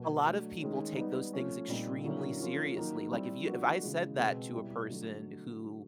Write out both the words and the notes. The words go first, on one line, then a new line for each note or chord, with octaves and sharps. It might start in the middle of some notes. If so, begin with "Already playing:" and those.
a lot of people take those things extremely seriously, like, if you if I said that to a person who,
Already playing: B2 F#3 A#3
F#3 A3 D4
D#3 G#3 C#4
G3 B3 D#4
F3 A3 C#4
A#2 G3 C4 D#4
D3 F#3 A#3 C#4 E4
F3 A#3 C#4 F4
D#3 F#3 A#3 D#4
G3 C4 E4
F3 A#3 D4 F#4
C#3 E3 G#3
B2 G#3 C4
B2 G3 B3 E4 G4
D3 F#3 A3